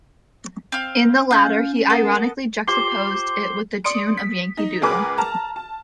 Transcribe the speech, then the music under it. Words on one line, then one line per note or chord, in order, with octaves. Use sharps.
In the latter he ironically juxtaposed it with the tune of "Yankee Doodle".
C4 F5
C#4 F4 G6
B3 A4 A#4
F4 G4 C5 D6 C7 G7
D5 C6 D#6 C#7 D7
B6
D#4
C#2 G#4 A#4 B4 D6
A5 A#5 F6
A5